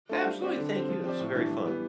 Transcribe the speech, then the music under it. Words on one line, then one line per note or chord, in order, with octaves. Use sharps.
Absolutely, thank you. This was very fun.
A3 D4 F4 C5
G3
C4 G4 D5
D3
G3 C4
F3
C4 G4 D5
A2
E3 G3 D4
E3
G3 B3